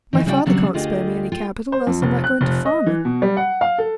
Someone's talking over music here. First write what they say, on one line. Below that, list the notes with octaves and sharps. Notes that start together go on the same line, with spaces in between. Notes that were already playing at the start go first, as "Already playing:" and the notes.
My father can't spare me any capital, else I might go into farming.
D#3 E3 D#4
C#3 G3 F#4 D5 E5 G5
D#2 C#3 F#3 G3 C4 D4
D2 D4 F4 G4 G#4 D#5
F4 G5
C5
F2
F1
F#6
F1
D#5
E3
B2
G3
F#5
F5
A4